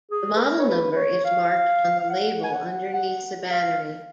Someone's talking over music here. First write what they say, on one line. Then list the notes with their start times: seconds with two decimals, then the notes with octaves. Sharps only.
The model number is marked on the label underneath the battery.
0.11 G#4
0.36 B4
0.40 A#4
0.59 C#5
0.69 B4
0.92 B4
0.96 C#5
1.25 F5
1.99 F5
2.09 F#5
2.44 G#5
2.52 F#5
2.94 F#5
3.50 F5